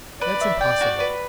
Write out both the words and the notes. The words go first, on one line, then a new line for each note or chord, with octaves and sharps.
"That's impossible!"
B4 D5
E5
D5 G5
F#4
B4